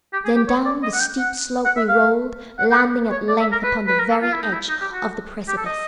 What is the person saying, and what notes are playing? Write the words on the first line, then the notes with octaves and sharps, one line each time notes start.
Then down the steep slope we rolled, landing at length upon the very edge of the precipice.
G4
G#4
G4
C#5
D5
D#5
F#5
G5
F#5
F#5
E5
F5
F#5
G5
F#5
C#5
D5
E5
A#4
B4
B4
A#4
A4
F4
E4
D#4
E4
D#4
G4
F#4
G4
A4
D#5